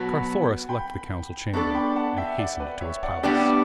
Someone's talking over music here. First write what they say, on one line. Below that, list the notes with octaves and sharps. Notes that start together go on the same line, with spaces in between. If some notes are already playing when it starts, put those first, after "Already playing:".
Carthoris left the council chamber, and hastened to his palace.
Already playing: B2 F#3 B3 F#4 F#5 A5
G5 B5
B3 D4 F#4 A4 D5 A5 C#6
G5 B5
F#5 A5
E5 G5
D5 F#5
B4 D5
C#5 E5
D5 F#5
A2 G3 B3 D4 G4 D5 F#5